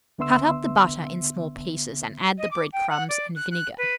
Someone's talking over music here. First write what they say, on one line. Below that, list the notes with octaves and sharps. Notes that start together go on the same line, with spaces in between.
Cut up the butter in small pieces, and add the bread crumbs and vinegar.
C#2 D3 B3 E5 C6 E6
D#5
D6
G5
F#5
D5
F#6
F#6
B4